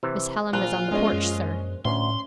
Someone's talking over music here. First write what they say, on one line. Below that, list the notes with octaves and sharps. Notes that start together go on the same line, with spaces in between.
'Miss Hallam is on the porch, sir.'
C3 E3
A#1 F4 F#6
G#3 B3 C#4 D4 D#5
F#2
D2 A2 C#4 C6